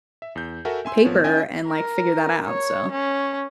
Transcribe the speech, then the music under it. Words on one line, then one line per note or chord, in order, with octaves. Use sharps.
paper and, like, figure that out." So
E5
E2 G6
F#4 A4 A#4 E5 F#5 G#5
E5 G#5 C6 E6
A1 F3 B3 C#5
C#4 E4 D#5 E5 G5 G#5
A#4
C#5
C#4